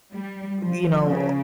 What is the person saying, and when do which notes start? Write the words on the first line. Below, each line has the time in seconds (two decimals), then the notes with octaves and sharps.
you know,
0.13 G3
0.60 F3
1.07 C#3